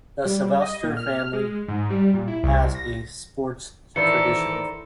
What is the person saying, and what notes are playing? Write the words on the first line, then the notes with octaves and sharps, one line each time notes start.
The Sylvester family has a sports tradition.
G3
D#5
A#2
F6
G#3
G#2
G3
A#2
E4
C2
A#6
D#3 E3 A4 A#4 C5 D5 C#7